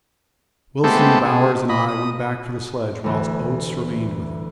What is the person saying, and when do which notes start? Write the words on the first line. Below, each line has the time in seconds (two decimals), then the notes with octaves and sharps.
Wilson, Bowers, and I went back for the sledge, whilst Oates remained with him.
0.84 G#3 A3 B3 C4 G4 A4
1.25 G#4
1.69 D#5 B5
1.88 D#6
3.04 D2 E3